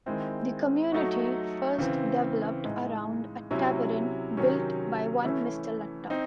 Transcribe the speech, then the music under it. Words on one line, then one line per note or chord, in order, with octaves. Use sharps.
The community first developed around a tavern built by one Mr. Latta.
D#3 G#3 C4 E4
F#3 A3 D#4 F#4
C#3 E3 C4
A2 G#3 D#4
C3 F#3 C#4 E4
C3 D#3 F#3 C#4
E3 A3 C#4 E4
C4 D#4